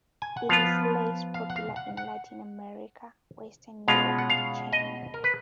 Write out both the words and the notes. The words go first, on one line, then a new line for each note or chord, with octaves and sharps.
It is less popular in Latin America, Western Europe, and China.
G#5
F#5
F3 B3 F4 F5
F5
F#5
F5
F#5
F#5
B2 G#3 C#4 F4 F5
F#5
F5
D#5
A#4
B4